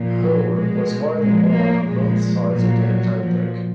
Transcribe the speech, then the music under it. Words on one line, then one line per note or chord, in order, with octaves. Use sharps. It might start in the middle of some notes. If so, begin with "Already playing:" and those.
Howe was widely mourned on both sides of the Atlantic.
Already playing: A#2 F3
F#3
B2 G#3
A#2 F3 G#3
A#3
A#2 F3 G#3
A#2 F3 F#3
A#2 F3